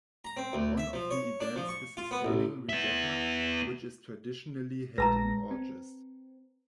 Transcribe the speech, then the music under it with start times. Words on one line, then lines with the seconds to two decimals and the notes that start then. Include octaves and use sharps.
One of the events is a sailing Regatta, which is traditionally held in August.
0.25 A#5
0.37 C4
0.53 D2
0.78 E5
0.93 F3
1.11 C#5
1.40 D4
1.56 F3
1.68 C#6
1.97 F4
2.11 B3
2.25 A1
2.69 B3 E5
4.98 A#1 G#3 B4 A5 A#5 A#6
5.51 C4